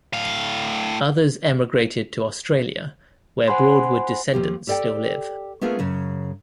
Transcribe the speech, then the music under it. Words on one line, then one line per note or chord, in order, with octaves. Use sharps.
Others emigrated to Australia, where Broadwood descendants still live.
A2 F5
C5 F#5 G#5 B5 C6
D#2 F3 G4
G4 A4 D5 E5 G5
A3 B3 C#4 F4 G#4 A#4
F#2 C#3 C#4